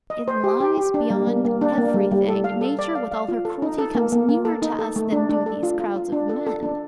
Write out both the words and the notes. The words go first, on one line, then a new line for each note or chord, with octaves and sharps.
It lies beyond everything: Nature, with all her cruelty, comes nearer to us than do these crowds of men.
D#5
C5
G4
G4
G4
D4
G3
A#3
A#3
D4
A#3
G3
G3
A4
F5
A4
D5
F5
F5
F4
A4
D#4
A4
A#3
A#3
A#3
A4
D#4
A4
A3
D4
D4
A4
F4
F4
F4
D4
A4
A4
D4